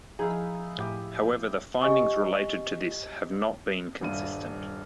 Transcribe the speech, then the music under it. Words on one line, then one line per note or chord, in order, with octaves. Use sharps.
However the findings related to this have not been consistent.
F3 D#4 E4 G#4 F5
A2 E4 G4 G#5
G4 D#5 G#5 C#6
D#1 G2 D#7